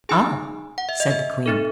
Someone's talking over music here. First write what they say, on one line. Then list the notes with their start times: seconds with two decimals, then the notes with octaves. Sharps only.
"Ah!" said the queen.
0.09 D#4 G#4 G#5
0.78 F#5
0.89 E5
1.00 D#5
1.10 E5
1.46 C4 D#4 A4